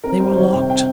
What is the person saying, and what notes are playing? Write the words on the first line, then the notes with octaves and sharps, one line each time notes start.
They were locked!
C4 A#4
G3 C5
C5
D#3 C#5
C3 G5
C4 G5